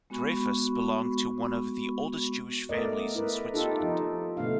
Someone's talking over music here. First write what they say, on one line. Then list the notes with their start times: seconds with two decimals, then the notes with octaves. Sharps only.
Dreifuss belongs to one of the oldest Jewish families in Switzerland.
0.10 G#3 B3 F#4 B5 C#6
2.69 A3 B3 A#4 D5 D#5
3.15 E4 A#4 B4
3.54 B3 D#4 F4 G4 A4
3.80 F3 D#4
4.37 B2 D3 A3 B3 D4 F5